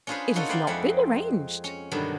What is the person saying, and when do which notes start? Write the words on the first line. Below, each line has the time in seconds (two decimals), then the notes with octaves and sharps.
"It has not been arranged."
0.07 C#4 D4 F4 G#4 B4 C5
0.36 A#3 C#4 D#4 F4 F#4 A4
0.49 G#4 B4 D5 E5 F5 G5
0.67 F2 G#3 C4 E5 F#5
1.64 C#4
1.91 G2 B2 D3 D#3 F#3